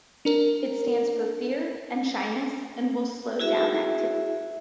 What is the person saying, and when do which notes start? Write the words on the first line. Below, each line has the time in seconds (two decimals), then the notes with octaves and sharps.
It stands for fear and shyness and will slow down activity.
0.25 D4 A#4
3.39 E4 F#4 G#4 E5